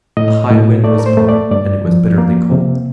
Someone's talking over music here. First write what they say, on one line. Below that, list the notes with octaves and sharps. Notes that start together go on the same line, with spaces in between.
A high wind was blowing and it was bitterly cold.
A2 D#5
A2
A3 D5
A#4
C5
A3
D5
G2 D5
F3
A#3
C3